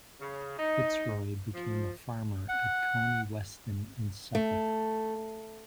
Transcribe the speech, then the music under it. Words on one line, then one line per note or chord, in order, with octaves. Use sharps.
FitzRoy became a farmer at Coney Weston in Suffolk.
C#3
D#4
F3
F#5
A3